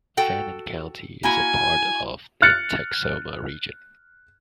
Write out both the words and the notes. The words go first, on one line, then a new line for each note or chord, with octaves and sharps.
Fannin County is a part of the Texoma region.
F#4 A4 G5
A#3 E4 F#4 G#5
F6 F#6 A6 C#7